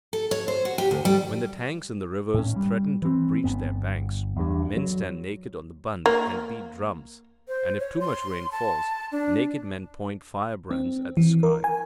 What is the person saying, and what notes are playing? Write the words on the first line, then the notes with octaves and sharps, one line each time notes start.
When the tanks and rivers threaten to breach their banks, men stand naked on the bund, and beat drums; and, if too much rain falls, naked men point firebrands at the sky.
A4
C#5
C5
F#4
G4
D2
G3
A2 C#4
G3
E3 C4
G1 G2 B3
E2 G2
F#3
A#3
C5
C#5
C6
A5
D4
C4
E3
A#4
G#5